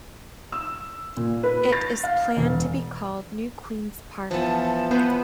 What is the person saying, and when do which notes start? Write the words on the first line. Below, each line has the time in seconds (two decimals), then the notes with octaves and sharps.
It is planned to be called New Queens Park.
0.52 E6
1.17 A#2
1.43 B4
1.72 A6
2.03 F5
2.37 E1
4.31 E3 F3 B3 A5
4.91 B3 C5